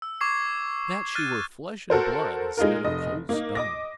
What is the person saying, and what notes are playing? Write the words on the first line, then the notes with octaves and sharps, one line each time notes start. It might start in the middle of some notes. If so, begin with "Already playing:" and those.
That she were flesh and blood, instead of cold stone!
E6
C#6 D6 G#6 C7
F6 F#6 A6 D#7
F#4 A4 A#4 C5
G#3 D#4 F4 A#4
F1 D#5
A#3 D#4
D#5 D6 A#6